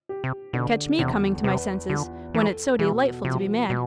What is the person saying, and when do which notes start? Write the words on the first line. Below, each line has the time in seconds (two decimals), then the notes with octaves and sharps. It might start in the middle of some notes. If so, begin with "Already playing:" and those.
Catch me coming to my senses, when it's so delightful to be mad.
0.09 G4
0.24 C3
0.53 B2 D3
0.99 E2 C3
1.44 C3 B4
1.90 D3 F4
2.34 E3 A4
2.79 B2 E3
3.24 C3 F3
3.70 B2